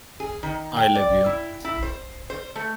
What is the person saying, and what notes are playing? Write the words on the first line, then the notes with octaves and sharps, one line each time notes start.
I Love You.
G#4
D#3
G5
D5
E4
E4
C5
C5
A3